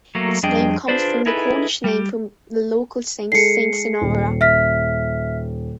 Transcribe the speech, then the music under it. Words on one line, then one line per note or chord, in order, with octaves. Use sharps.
Its name comes from the Cornish name for the local saint, Saint Senara.
F#3 A3 A#3
F2 G3 D4 G#4 D#5 G5
D4 F4 G#4 B4 C5 D5
D#4 E4 G#4 A4 B4
G3 G4
G#3 G#4 A4 C7 C#7
D#1
E5 F6 B6